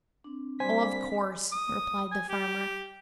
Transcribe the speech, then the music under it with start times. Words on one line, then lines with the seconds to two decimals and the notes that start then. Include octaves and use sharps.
"Oh, of course," replied the farmer.
0.24 C4 D4
0.60 G3 C5 G#5 B6
1.52 D#6
2.12 G#5
2.29 G4